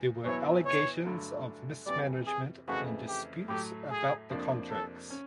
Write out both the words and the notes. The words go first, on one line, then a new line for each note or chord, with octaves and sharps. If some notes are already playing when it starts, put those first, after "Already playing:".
There were allegations of mismanagement and disputes about the contracts.
Already playing: E2
E2 B2 F#3 B3 E4 C#5
C#5
G2 D3 F#3 A3 D4
F2 C3 E3 G3 D5
G#4
F2 C#3 E3 A3 F#4
G4
A2 F#3 A3 G4
G#4
F2 C3 F3 A#3 D4
A4
C#4